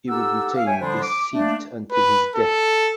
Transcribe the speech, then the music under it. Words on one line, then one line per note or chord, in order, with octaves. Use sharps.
He would retain this seat until his death.
D#4 G4 A4 F#5 E6
F5
C#5 E5 G5 G#5
D3 F3 G3 D4 C5
D6
A3 A#3 D4
B4
A4